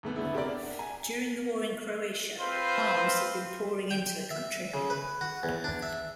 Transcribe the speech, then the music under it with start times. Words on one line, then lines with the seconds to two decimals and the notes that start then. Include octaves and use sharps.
During the war in Croatia, arms had been pouring into the country.
0.03 D#2 A3 B3
0.16 D3 A3 B3 E4
0.33 C4 G4 A#4 D5
0.50 D4
0.63 F#5
0.79 G#5
2.39 C4 F4 B4 C5
3.91 G5
4.31 E5
4.74 C#3
4.90 B4
5.21 F#4
5.43 E2
5.64 D4
5.83 E5